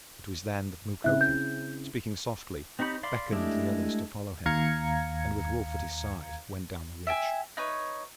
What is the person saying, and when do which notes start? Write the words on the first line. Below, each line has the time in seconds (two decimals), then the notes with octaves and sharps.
It was then that Mukoki, speaking softly, beckoned the others to follow him, and with Wolf at his side went down the ridge.
1.04 C#3 C4 E4 E5 F#6
1.21 G6
2.79 C4 D#4 G4 C#5 B5
3.03 D5 F5 B5 C6 D6
3.32 G#3 A3 D4 E4 G4
4.46 D#2 F5 A#5 G#6 C#7
7.07 E5 G5 G#5
7.57 D#4 B4 C#5